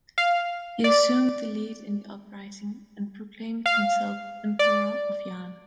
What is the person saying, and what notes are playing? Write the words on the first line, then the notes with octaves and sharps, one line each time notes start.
He assumed the lead in the uprising and proclaimed himself Emperor of Yan.
F5
D5
F5
D5